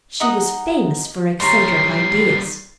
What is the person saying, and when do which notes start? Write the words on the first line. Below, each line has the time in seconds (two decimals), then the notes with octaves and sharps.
She was famous for eccentric ideas.
0.20 D#4 F#5 D#6
1.40 D#3 G3 A#4 C#5 C6 C7